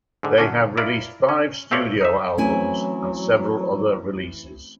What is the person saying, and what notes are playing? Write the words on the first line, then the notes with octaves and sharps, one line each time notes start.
They have released five studio albums and several other releases.
G#2 D3
F#2 A2 D3 C#4 D4
E4 F4 A#4 D5
C#4
A3 C4 F4 G4 C#5 D5
D#4 E5
E3 F#3 A3 C4 C#4 E4 G#5